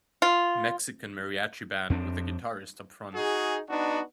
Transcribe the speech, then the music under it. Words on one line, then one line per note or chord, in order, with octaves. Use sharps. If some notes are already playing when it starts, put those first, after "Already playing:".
Mexican mariachi band with the guitarist up front.
F4
F2 C4 D4
D#4 F#4 G#4
B3 D4 D#4 F#4